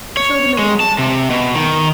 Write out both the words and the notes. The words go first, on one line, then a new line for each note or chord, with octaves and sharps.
He showed them again.
C#5
G#3
A5
C3
B2
D#3